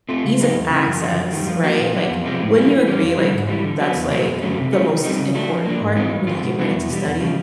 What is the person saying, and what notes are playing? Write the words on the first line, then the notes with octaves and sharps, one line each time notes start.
ease of access, right? Like, wouldn't you agree, like, that's, like, the most important part when you get ready to study?
A3 C4 F4
C#3
F#3 A#3 D#4 G4
E2
C#3 E3
F#2
D3 F3
F#2
D#3 G3
F3
A#3 D4 F#4
A#2
F#3 B3
F2
C3 F3 G#3 C4
A2
E3 G3 A#3
E3
G3 A#3 C#4
F2
D3 G3
G#2
E3 G3
D3
F#3 B3
E2
B2 F#3 A#3
F#2
D3 F#3 A3 C#4
C3
F3 A3 C#4
D#3
G3 C4 D#4
C#3
F#3 A3 D4
F3
A#3 D4
G#2
E3 G#3 C4 D#4
G2
D#3 G#3 C4 F4
B2
G3 B3 D4 F#4
E2
B2 G3
E2
C#3 F3